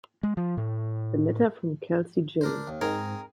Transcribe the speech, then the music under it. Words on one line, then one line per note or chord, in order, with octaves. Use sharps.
The letter from Kelsey Jane.
G#3
F3
A2
D4 A#4 C5
D#2
G#2 C4 D#4 G#4 A#4